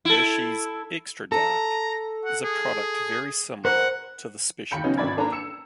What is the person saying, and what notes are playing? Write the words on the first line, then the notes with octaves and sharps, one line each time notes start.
Hershey's Extra Dark is a product very similar to the Special Dark.
E4 A4
A4 A#5
F#5
G#4
A#4 C5 F#5
D#2 G5 B5 G6 C#7
C#3 F#3 B3 C#4 D#4
G#1 C4 D4 D5 B5 G#6
A#3 D4 A4 B4 A#5
E6 C#7 E7